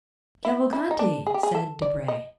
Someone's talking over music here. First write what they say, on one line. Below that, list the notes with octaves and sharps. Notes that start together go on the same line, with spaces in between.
"Cavalcanti!" said Debray.
E4
E4
D#4
D4
G#4
G4
G#4
A4
D5
D#5